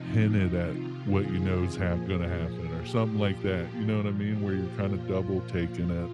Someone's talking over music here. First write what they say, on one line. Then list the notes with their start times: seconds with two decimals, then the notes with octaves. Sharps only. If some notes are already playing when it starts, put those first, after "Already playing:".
hinted at what you know is ha gonna happen or something like that, you know what I mean? Where you're kinda double taking it.
Already playing: C3 F3 D#4
0.14 D#4
0.66 C3 D#3 F4
1.18 G#4
1.70 A#2 F3
2.72 A#2 F3 G4
3.76 A#2 F3
4.28 G4
4.79 A#2 F3 F4
5.83 A#2